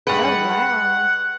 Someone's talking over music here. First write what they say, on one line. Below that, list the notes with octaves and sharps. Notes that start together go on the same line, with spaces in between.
Oh, wow.
G2 G#3 B4 F#5